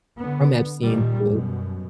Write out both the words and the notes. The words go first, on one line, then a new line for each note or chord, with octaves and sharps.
from Epstein through
D3 B3
A#2 D#3 G3
F#2 B2